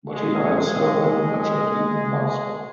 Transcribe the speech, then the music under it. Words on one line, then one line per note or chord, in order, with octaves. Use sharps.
But he likes her very much and even loves her.
G#3 G#4